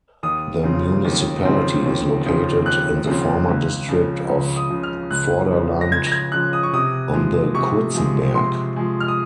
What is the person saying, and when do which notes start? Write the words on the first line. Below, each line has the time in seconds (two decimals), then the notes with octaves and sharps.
The municipality is located in the former District of Vorderland on the Kurzenberg.
0.23 D#2 D#6
0.63 C#3 F3 C4
1.05 D#2
1.45 C#3 F3 C4
1.86 D#2
2.26 C#3 F3 C4
2.66 D#2 F#6
3.07 C#3 F3 C4
3.48 C#2
3.89 C#3 F3
4.29 C#2
4.57 D#6
4.69 C#3 F3
4.83 F6
5.10 C#2 F#6
5.51 C#3 F3
5.81 A#6
5.92 C#2 G#6
6.07 A#6
6.12 G#6
6.32 C#3 F3 F#6
6.53 D#6
6.63 C#6
6.73 C3 D#6
7.13 F3 G#3
7.54 C3 C#6
7.95 F3 G#3
8.35 C3 C6
8.76 F3 G#3
9.00 F6
9.08 D#6